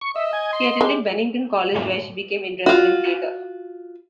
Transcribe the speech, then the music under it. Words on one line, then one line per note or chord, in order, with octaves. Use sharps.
She attended Bennington College where she became interested in theatre.
C#6
D#5 E5
G#5
C6
G#3 G4
F4 F#4